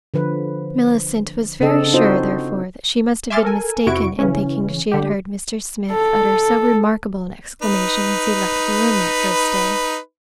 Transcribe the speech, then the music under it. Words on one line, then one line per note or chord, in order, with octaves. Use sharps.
Mellicent was very sure, therefore, that she must have been mistaken in thinking she had heard Mr. Smith utter so remarkable an exclamation as he left the room that first day.
D3 F3 B4
C#3 C4 D4 A4 D#5
C4 D#4 F4 F#4 C5 D#5
E5 G#5 C6 D6 F6 A6
A4 A#4 G#5
F2 C3 E4 F#4 C#6 D7
C#3 E3 C#4
D3 G4
A4
D#4 B4